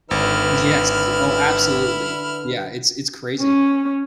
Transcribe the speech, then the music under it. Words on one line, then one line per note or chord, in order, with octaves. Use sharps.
Yes, oh, absolutely. Yeah, it's it's crazy.
G#1 D3 E4 B4 F6
C#4